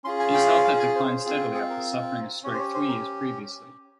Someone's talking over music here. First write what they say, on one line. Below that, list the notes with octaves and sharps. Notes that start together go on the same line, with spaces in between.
His health had declined steadily after suffering a stroke three years previously.
C#4 F4 G#4 C6
G#5
G5
F5
G#5
C5
C4 F4 G#4
G#4
A#4
C#4 G4 C#5
C5
C#5
C5
A#4